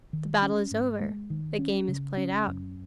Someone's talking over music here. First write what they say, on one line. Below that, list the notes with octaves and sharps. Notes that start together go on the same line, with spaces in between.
"The battle is over--the game is played out."
D#3
C#4
G#2
G#3
D#3
C#4
C#3
C#4
F#2